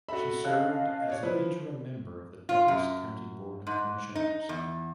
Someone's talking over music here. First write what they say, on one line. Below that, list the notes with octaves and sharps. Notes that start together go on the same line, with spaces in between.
She served as an interim member of the Douglas County Board of Commissioners.
F#4 A4 E5 B5
C#4 D#5 F5 A5 F#6
C#5 D5
F3 E4 B4
F4
F#2
G#2
D#4
E2